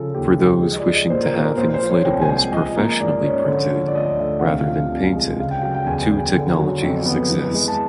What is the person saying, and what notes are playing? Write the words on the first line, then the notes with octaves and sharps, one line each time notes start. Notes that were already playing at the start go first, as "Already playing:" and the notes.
For those wishing to have inflatables professionally printed, rather than painted, two technologies exist.
Already playing: C#3 F3 A4
D#2 G4
G#3
F3 G#4
D#5
D5
G#3
D#5
A#2 C5
A#4
A#2
A#4
A#2 C5
C5
F3
C#5
C2 G5
G#5
G#3
G#5
F3 D#5
A#3
D#5
G#2 D5
C#4
D3
F3
D5
D2 D#5
D2 E5
F#5
C3 F5
F3
C2
G#3
C#3 F5
G5
F#3 G5
G5
E2 G#5
E2
D3
F#3
F2
B3
E3
G#3
A5